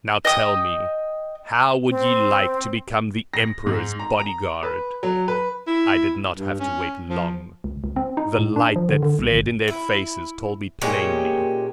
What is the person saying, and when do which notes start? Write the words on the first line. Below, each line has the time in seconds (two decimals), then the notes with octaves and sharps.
"Now, tell me; how would ye like to become the emperor's body-guard?" I did not have to wait long; the light that flared in their faces told me plainly.
0.25 D#5 G5 D#6
1.89 C4
3.34 A#6
3.67 G#2
4.00 A#5
4.20 A#5
4.63 B4
5.03 F#3
5.28 B4
5.67 E4
6.37 G2
6.60 C#4
7.09 F3
7.64 C#2
7.84 C#2
7.96 C4
8.17 D#4
8.39 A2
8.56 D4
8.76 F3
8.89 D3
9.03 D3
9.19 C2
9.31 G1
9.68 E4
10.81 A#2 G#3 C#4 G4